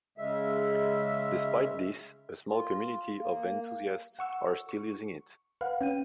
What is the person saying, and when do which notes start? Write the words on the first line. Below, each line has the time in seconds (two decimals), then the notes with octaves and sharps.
Despite this, a small community of enthusiasts are still using it.
0.18 C#3 G#3 E5
2.48 F4
3.16 A#3
4.19 F#5 C#6 E6
4.69 C#6
5.61 B4 F5 F#5
5.81 C#4 G5 D#7